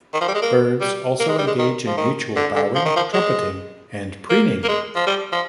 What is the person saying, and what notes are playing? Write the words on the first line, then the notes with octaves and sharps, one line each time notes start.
Birds also engage in mutual bowing, trumpeting, and preening.
D#3
F3
G3
G#3
A#3
G3
A#3
G#3
G3
G#3
D#3
F3
D#3
D3
D3
F3
D#3
F3
G#3
A#3
A#3
G#3
F3
G3
F3